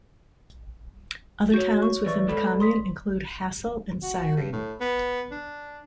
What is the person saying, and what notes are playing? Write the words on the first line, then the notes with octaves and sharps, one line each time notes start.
Other towns within the commune include Hassel and Syren.
F#4 C#5 G6
C#6
E3 B4 D5 C#6
G#3 A4 B5
C6 D#6 B6
F#4
G2
A2
B3
D4